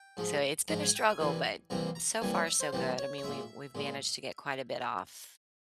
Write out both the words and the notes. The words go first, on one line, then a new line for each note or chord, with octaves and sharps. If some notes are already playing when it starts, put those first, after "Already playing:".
So, it's been a struggle, but so far so good, I mean, we we we've managed to get quite a bit off,
Already playing: G5
G#2 F3 G#3
G#2 F3 G#3 A#5
G#5
G5
G#5
C2 C3 E3 G3 A#3
C2 C3 E3 G3 A#3 A#5
A#5
C2 C3 E3 G3 A#3 G#5
C#5
E5
C5
C2 C3 E3 G3 A#3 C5
C#5
C#5
A#2 G#3 E5
A#2 G#3